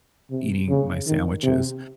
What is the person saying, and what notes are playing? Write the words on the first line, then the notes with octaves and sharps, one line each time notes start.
eating my sandwiches?
C3
C#3
D#3
C3